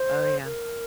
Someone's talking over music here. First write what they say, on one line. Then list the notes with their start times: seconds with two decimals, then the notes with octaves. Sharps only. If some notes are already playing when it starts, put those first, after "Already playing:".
Oh, yeah.
Already playing: C5
0.45 A#4